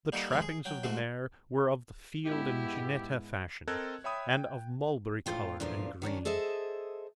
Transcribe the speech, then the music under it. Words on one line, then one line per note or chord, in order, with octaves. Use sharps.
The trappings of the mare were of the field and jineta fashion, and of mulberry colour and green.
G3 A#3 D#4 F#4 A4
F2 C3 D#3 F3 G#3 C4
G#4
F#3 G5
G#2 C3 A3 F#4
G#2 G#3 B3 E4 G4
C4 A4 A#4 D#5 F#6 G#6
C#5 E5 G5 B5 D#6
G5
D2 A2 G#3 F4 G5
E2 A#2 D3 F3 F4
D#3 B3 C#4 D4
G#4 A4 C5 D#5 E5